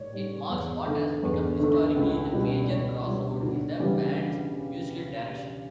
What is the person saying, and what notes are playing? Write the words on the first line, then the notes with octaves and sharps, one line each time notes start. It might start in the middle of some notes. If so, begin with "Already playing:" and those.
It marks what has become historically, the major crossroad in the band's musical direction.
Already playing: A2 C#5 D5
G3
E2
D3 A3
E2
D3 A3
C#2
B2 G3
D5
C#2 C#5
B2 G3
D2
C#3 E3 G3